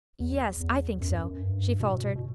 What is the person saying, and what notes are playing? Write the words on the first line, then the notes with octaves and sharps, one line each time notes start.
"Yes--I think so," she faltered.
E2
E2
F#2
G2
F#2
G2
B2
A2
B2
B2